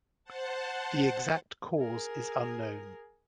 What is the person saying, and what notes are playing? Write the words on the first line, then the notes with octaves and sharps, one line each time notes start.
The exact cause is unknown.
C5 F#5 A5
G#4 A#4